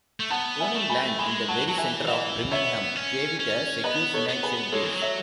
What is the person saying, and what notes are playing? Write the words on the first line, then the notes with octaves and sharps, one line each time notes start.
Owning land in the very centre of Birmingham gave it a secure financial base.
A3
B3 F#5 A5
E5 G#5
A3
G#5 B5
G#3 G#5 B5
F#3 F#5 A5
F#3 A5
E3 E5 G#5
E3 D#5 F#5
B3 C#5 E5
C#4
C#4
B3 B4 D#5
A4 C#5
B3
G#4 B4
G#3 A4 C#5
E3
F#3
C#5 E5